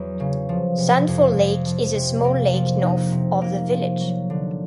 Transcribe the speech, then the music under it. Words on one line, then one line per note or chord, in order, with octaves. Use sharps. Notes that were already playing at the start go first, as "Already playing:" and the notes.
Sanford Lake is a small lake north of the village.
Already playing: E2 F#3
C#3
F3
C3
F2
F2
F3
C3
A#3
F3
D#4
C3
A#3
F3
F#3
D3